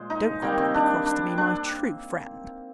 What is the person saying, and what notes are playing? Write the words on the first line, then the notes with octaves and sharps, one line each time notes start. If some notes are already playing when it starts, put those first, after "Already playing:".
Don't grumble and be cross to me, my true friend.
Already playing: A#2 G#3 C5
D#4
D#3 G3 A#3 C4
C4
D4
D4
D4